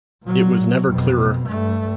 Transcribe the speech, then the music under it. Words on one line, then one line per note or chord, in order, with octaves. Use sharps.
It was never clearer.
A#2 F#3
F2 B2
G2 A3